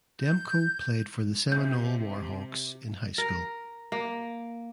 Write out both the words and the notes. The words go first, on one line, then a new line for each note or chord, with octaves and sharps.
Demko played for the Seminole Warhawks in high school.
G6
C3 G6
A#4
A#3